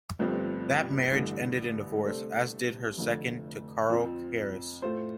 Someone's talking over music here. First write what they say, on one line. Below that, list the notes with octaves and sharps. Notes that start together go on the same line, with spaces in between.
That marriage ended in divorce, as did her second, to Carl Karas.
G1 G2 F3 A3 C4
A1 G2 D3 A3
C3 A3 D4 A4 C5
F1 F2 D3 A3
F2 F3 C4
A2 A3 F4 C5